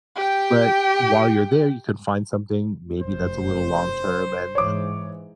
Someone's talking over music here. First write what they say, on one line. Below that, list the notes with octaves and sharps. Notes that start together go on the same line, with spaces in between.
but while you're there, you can find something maybe that's a little long term, and
G4 G5
F1 F#2 C5
G#2 E3 C#5 D6